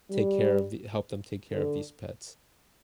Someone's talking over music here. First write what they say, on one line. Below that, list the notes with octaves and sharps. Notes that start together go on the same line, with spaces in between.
take care of the help them take care of these pets.
G3
D3